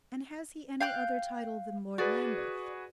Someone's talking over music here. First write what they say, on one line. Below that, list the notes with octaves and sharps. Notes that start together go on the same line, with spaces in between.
"And has he any other title than Lord Lambeth?"
F5 G5 F#6
F#4 G#4 B4 D5